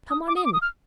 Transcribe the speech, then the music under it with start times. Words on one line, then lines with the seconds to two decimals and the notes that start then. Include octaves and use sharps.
"Come on in."
0.10 D#6
0.28 D6
0.36 D#6
0.45 D6
0.53 D#6
0.62 F6